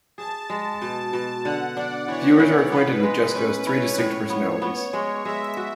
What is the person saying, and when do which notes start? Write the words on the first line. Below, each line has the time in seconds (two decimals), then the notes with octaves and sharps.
Viewers are acquainted with Jesco's three distinct personalities.
0.18 G#4 A5
0.50 G#3
0.81 B2 A5
1.13 B2 A5
1.45 D3 F#5
1.76 D4 D5
2.08 E3 C#5
2.40 E3
2.72 B3 B4
3.03 G#3
3.35 C#4 B4
3.66 E4 C#5
3.98 A2
4.30 B3
4.62 B3
4.93 G#3
5.25 G#3 E5
5.57 F#4